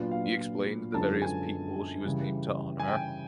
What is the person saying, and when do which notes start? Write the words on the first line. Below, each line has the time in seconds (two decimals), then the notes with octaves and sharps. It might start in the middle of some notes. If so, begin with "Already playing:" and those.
He explains the various people she was named to honor.
Already playing: A#2 F#3 B3 D4 F4
0.11 F5
0.94 F#2 D3 F3 G#3 B3 A5
1.22 G#5
2.05 C#3 E3 G3
2.80 G#5
2.88 G5